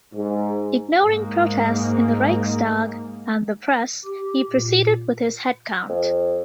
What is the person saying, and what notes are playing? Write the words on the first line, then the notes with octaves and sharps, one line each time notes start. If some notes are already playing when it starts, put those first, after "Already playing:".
Ignoring protests in the Reichstag and the press, he proceeded with his head count.
G#2
G#2 A#3
G4
A#2
F2